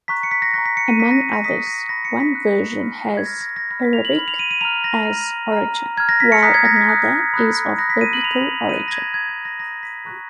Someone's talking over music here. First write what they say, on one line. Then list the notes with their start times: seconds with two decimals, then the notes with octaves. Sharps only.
Among others, one version has Arabic as origin, while another is of Biblical origin.
0.08 A#5 C#6 F#6 B6
0.23 C#7
0.31 B6
0.42 A#6
0.54 A#5 C#6 F#6 A#6
0.66 B6
0.77 C#7
0.88 D#7
1.00 A#5 D#6 F#6 B6
1.11 A#6
1.22 A#6
1.33 A#6
1.44 A#5 D#6 F#6 B6
1.67 A#6
1.89 B5 F#6 A#6
2.05 C#7
2.20 B6
2.35 B5 F#6
2.80 B5 F6
3.17 G#6
3.26 B5 F6 A#6
3.41 A#6
3.56 A#6
3.71 B5 F6 A#6
3.83 B6
3.93 F7
4.05 F#7
4.16 B5 F6 F#7
4.28 F7
4.39 D#7
4.51 D#7
4.61 A#5 F6 F7
4.84 A#6
5.07 A#5 F6
5.52 A#5 F6
5.97 A#5 F6 G#6
6.09 A#6
6.20 B6
6.32 C#7
6.43 A#5 D#6 F#6 B6
6.54 G#6
6.65 A#6
6.76 B6
6.88 A#5 D#6 F#6
7.34 B5 D#6 F#6
7.78 B5 D#6 F#6 A#6
7.90 B6
8.01 D#7
8.13 F#7
8.23 B5 F#6 F7
8.69 B5 F#6 D#7
8.88 A#6
8.92 G#6
9.14 A#5 D#6 F#6 G#6
9.29 G#6
9.45 A#6
9.60 A#5 D#6 F#6 A#6
9.83 B6
10.05 A#5 C#6 F#6